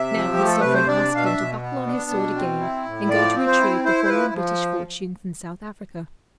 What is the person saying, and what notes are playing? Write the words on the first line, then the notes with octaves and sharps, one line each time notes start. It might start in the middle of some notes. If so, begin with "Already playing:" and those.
Now his sovereign asked him to buckle on his sword again, and go to retrieve the fallen British fortunes in South Africa.
Already playing: C3 E5
F3
G4
A3
A4
C3 B4
C5
D4 D5
B2 F5
E5
B2
B3
D4
B2
C4
E4
A2
F3 D5
C4
C5
E4
E4 C5
C5
F3 B4
F3